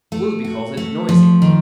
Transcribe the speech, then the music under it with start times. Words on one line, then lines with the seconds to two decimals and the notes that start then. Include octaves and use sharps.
Willeby calls it noisy!
0.12 A3
0.45 F#4
0.77 A3
1.09 F3
1.42 D#3